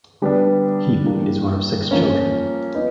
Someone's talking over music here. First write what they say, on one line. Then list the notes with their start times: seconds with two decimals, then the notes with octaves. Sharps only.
Heap is one of six children.
0.22 D3 G3 B3 D4
1.05 E3 G3 A#3 D4
1.91 F3 A#3 C#4
2.75 B3 D#4